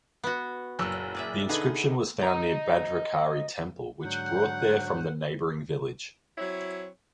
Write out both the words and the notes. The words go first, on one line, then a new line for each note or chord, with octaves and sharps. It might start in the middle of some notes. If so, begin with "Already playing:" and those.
The inscription was found near Bhadrakali Temple which brought there from the neighbouring village.
B3 F#4
F#1 A#2 F#3 E6
G#4 D5 E5
D3 B3 D#4 G#4
D#5 A#5
G#2 D3 F#3 F#5 F#6 G6
F#3 C4 E4 C#5